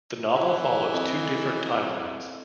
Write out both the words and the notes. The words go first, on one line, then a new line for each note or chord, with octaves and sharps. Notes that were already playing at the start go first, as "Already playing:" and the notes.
The novel follows two different timelines.
E3 E4
C4 A4 D#5